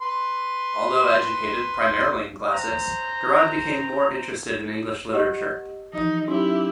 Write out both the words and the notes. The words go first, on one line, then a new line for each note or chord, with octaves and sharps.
Although educated primarily in classics, Garrod became more interested in English literature.
B4 C6
C5 A#5
G4 D#5 F#5
E3 F3 D#4
F#3 C#4 D#4 E4 F#4 G4